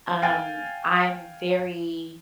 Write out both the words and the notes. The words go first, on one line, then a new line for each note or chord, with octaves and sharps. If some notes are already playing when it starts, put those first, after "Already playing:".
Um, I'm very,
F5 G5 G#5 A6